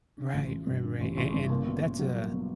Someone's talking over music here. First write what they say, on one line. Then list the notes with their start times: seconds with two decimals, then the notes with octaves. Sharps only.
Right, ri right an and that's a
0.18 D3
0.34 A1
0.51 A1
0.67 G2
0.84 D3
1.00 A1
1.17 A1
1.34 G2
1.50 A#3
1.67 B2
1.84 B2
1.99 F#3
2.16 A#3
2.33 B2